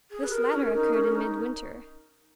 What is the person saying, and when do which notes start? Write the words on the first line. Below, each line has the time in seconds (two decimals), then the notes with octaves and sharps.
This latter occurred in midwinter.
0.11 G#4
0.23 B4
0.26 G4
0.31 A#4
0.42 G#4
0.52 C#4
0.58 A#4
0.74 D#4
0.94 C#4
1.05 C#4
1.15 D#4